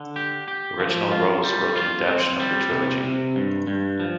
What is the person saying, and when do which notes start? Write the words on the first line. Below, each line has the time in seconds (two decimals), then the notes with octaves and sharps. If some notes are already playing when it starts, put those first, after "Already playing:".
Reginald Rose wrote the adaptation of the trilogy.
Already playing: D3
0.16 G4
0.48 G4
0.80 F3
1.12 F4
1.44 G3
1.76 F4
2.07 C4
2.40 G3
2.71 C3
3.03 C3
3.36 G2
3.67 G2
4.00 F3